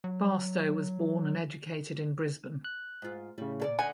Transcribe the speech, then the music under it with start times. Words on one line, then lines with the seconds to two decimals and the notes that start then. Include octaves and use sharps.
Barstow was born and educated in Brisbane.
0.04 F#3
2.65 F#6
3.02 G#2 F4
3.38 A2 C#3 G3
3.60 A#2 A4 D5
3.79 D3 D#4 F#5 G#5